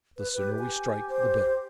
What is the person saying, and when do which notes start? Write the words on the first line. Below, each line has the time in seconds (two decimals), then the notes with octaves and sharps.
The sooner we strike the better.
0.17 B4
0.34 G4 B4
0.59 G#5
1.09 C5